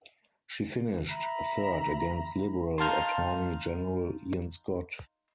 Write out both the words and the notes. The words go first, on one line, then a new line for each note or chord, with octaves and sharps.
She finished third against Liberal Attorney-General Ian Scott.
E5 A#5 B5
D#4 F5 A5 C6